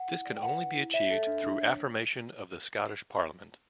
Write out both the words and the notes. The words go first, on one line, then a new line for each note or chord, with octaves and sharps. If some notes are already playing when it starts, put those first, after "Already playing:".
This can only be achieved through affirmation of the Scottish Parliament.
Already playing: F#5
E4
D5
G5
B4 F#5
E4
E4
C#5 E5
A4
D4
D4
C#5